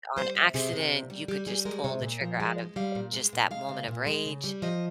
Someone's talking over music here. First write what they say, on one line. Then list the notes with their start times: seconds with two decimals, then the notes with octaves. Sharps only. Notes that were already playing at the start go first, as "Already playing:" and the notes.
on accident, you could just pull the trigger out of just that moment of rage,
0.16 G3 C5
0.35 C3
0.54 C3 G#4
0.73 C3
0.92 A#2
1.10 G3
1.28 G3 G4
1.47 G3 G#4
1.65 G#3 A#4
1.84 C3 C#5
2.02 A#2
2.21 F3
2.40 G#3
2.58 G#3
2.76 G3 F5
2.95 A#2
3.13 G#3
3.33 A#2
3.51 G#3 F5
3.69 C#3
3.88 A#2
4.07 G#3
4.26 C#3
4.44 G3
4.62 F3 D#5